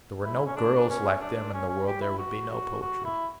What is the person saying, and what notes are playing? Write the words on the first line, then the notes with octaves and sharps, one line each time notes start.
If there were no girls like them in the world, there would be no poetry.
E4
C#4
D4
C#4
D4
C#4
C#4
G4
E4
F#4
F#4
F#4
E4